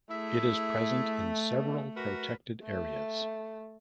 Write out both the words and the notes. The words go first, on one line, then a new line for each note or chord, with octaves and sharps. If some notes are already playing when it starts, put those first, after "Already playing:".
It is present in several protected areas.
A3 E4 G#4 E5
B2
F#4 A#4 B4
A3